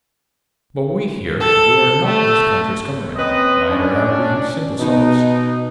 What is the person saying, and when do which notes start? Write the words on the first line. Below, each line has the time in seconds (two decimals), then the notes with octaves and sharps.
But we here--we are not this country's Government, neither are we simple souls.
1.40 A4
2.05 A3
3.16 A#3 C4 C#4 B4 D#5
3.70 C#4 D4
4.80 B2 D#4